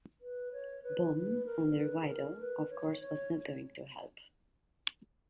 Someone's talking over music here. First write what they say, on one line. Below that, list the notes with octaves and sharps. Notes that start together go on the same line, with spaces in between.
Baume, under Wido, of course was not going to help.
B4
C#5
B4
B4
A#4
B4
G#4
A#4
B4
C#5
C#5